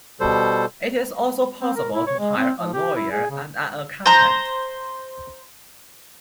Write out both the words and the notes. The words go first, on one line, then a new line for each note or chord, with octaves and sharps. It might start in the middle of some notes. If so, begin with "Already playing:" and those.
It is also possible to hire a lawyer and an accountant.
B2 G3 A4 C5
C4
A#4
E4
C#5
G#3
C4
F3
G4
E4
G#4
C#3
C5 A#5